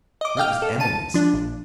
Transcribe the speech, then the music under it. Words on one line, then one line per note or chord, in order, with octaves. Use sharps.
For it was Emily's!
D#5 D6
D#5 F5 G5 F6
A4
A5 D#7
F3 D4
A#1